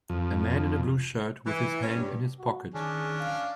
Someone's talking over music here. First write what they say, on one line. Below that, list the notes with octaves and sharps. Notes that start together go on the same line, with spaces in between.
A man in a blue shirt with his hand in his pocket.
F2
E3
C#4
G2
F#4
D#3 C#4 D4 G#4
F5